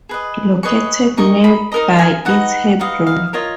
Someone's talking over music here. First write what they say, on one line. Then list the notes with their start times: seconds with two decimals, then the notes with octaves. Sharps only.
Located nearby is Hebron.
0.09 G#4 B4 D#5
0.63 G#4 B4 D#5 C#6
1.17 D#4 A#4 D#5 C#6
1.44 B5
1.72 D#4 A#4 D#5 A#5
1.99 G#5
2.25 D#4 F#4 B4 D#5 F#5
2.80 D#4 F#4 B4 D#5 F5
3.07 F5
3.33 F4 A#4 C#5 D#5